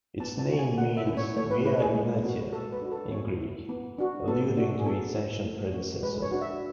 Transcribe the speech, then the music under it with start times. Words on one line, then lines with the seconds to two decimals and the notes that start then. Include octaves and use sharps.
Its name means "Via Egnatia" in Greek, alluding to its ancient predecessor.
0.20 B3 A5
0.39 A5
0.49 F#4
0.59 G#5
0.78 A3 F#5
0.97 E5
1.07 C#4 E4
1.17 C#5
1.36 A3 C#5
1.51 B4
1.65 E4 B4
1.80 G#4
1.95 G#3
2.23 B3 F#4
2.53 G#3 A4
2.72 B4
2.82 D4 F#4
2.92 A4
3.11 B3 C#5
3.40 E4
3.69 B3
3.98 D4 F#4
4.28 B3 A4
4.57 D4 F#4
4.79 G#4
4.86 B3 A4
5.15 E4
5.44 A3
5.74 C#4 F#4
6.03 G#3 B4
6.22 C#5
6.31 D4 F#4
6.41 E5